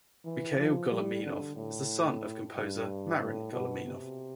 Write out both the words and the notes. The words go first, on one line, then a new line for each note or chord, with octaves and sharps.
Michail Goleminov is the son of composer Marin Goleminov.
E3
F3
G3
D3
A2
G2
A2
B2
C3